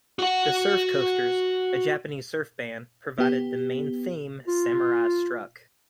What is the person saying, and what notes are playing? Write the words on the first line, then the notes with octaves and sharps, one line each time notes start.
The Surf Coasters, a Japanese surf band, provided the main theme, "Samurai Struck".
F#4 F#5
B3 G4
F4